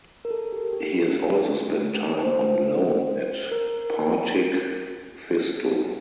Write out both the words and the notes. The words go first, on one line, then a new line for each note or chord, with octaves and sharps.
He has also spent time on loan at Partick Thistle.
A#4
A4
G4
G4
A4
C5
A#4